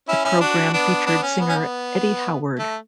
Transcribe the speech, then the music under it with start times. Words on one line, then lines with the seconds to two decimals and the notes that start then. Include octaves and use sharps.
The program featured singer Eddy Howard.
0.09 C#4 E4
0.25 C#4 E4
0.41 D4 F#4
0.73 B3 D4
1.06 B3 D4
1.22 C#4
1.40 B3
1.49 C#4
1.55 B3
2.59 A3